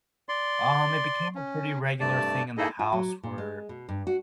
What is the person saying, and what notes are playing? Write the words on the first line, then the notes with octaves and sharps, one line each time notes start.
um, it became a pretty regular thing in the house where
D5 C6
C#4
G2 C3 A3 D5 A5
A#3 D#4 E4 G#4 A4 D#5
F4
F#3
A#2
G#3
B2
G2
F#4